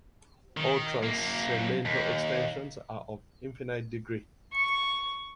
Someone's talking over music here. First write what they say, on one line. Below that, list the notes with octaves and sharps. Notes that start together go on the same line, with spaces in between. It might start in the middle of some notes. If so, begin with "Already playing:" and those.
All transcendental extensions are of infinite degree.
D#3
F#2 A#3
D#2
C#6